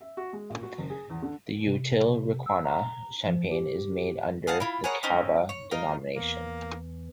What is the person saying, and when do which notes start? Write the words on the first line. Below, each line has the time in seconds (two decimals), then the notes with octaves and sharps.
In Utiel-Requena, champagne is made under the cava denomination.
0.01 E5
0.17 F#4
0.33 G#3
0.50 A#2
0.63 F#4
0.78 F#1
0.90 G#4
1.10 E2
1.22 D3
1.66 C3
2.46 E6
2.65 A#5
3.26 F3
3.51 G4
4.47 G#4 F5 F#5 A5
4.60 E4 F4
4.84 G#4 A#4 C#5 F#5
5.03 C4 C#4 D#4
5.49 C#5
5.71 D#4 F4 A#4
6.16 E2 E3 A#3